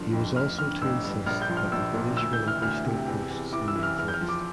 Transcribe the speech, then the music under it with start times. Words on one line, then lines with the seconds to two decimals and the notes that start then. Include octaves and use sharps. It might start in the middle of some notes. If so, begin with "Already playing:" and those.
He was also to insist that the British relinquish their posts in the Northwest.
Already playing: G1 D3 F3
0.13 F2
0.36 A1 F6
0.59 D3 F6
0.81 A1 E6
1.04 G2
1.26 A#1 F6
1.42 G6
1.49 F3
1.57 F6
1.72 A#1 E6
1.94 A#2
2.17 D2 E6
2.33 G6
2.40 E3
2.48 F6
2.62 D2 F6
2.86 C3
3.08 E2
3.30 E2
3.53 E3 D6
3.68 E6
3.76 E3
3.83 F6
3.98 E2 F6
4.08 G6
4.14 F6
4.21 F3
4.29 D6